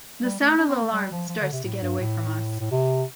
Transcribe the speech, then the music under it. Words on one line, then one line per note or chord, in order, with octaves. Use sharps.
The sound of the alarm starts to get away from us.
G3
A3
D4
C4
A3
G3
F3
F3
D3
C3
A2
G2
A2
A2
C3